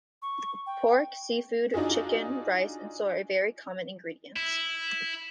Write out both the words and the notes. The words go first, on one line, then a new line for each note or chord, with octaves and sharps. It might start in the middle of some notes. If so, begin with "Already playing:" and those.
Pork, seafood, chicken, rice, and soy are very common ingredients.
C#6
G5
D4 D#4 F4 F#4 G#4
E4